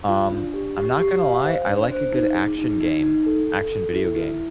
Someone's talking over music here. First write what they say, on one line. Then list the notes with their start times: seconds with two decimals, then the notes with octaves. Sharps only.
Um, I'm not gonna lie, I like a good action game action video game.
0.09 F4
0.32 D4
0.54 G4
0.78 G4
1.00 G4
1.22 F5
1.45 C5
1.67 D4
1.91 C5
2.12 D#4
2.35 G#4
2.59 D#4
2.81 D#4
3.03 D#4
3.26 A4
3.49 A4
3.72 A4
3.94 E4
4.16 E4